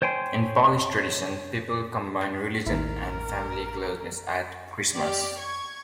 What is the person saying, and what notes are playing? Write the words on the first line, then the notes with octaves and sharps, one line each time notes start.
In Polish tradition, people combine religion and family closeness at Christmas.
C5 C#5 G5 G#5 C6
A1 D#2 E4 A#4
G4 D5
C#6 G#6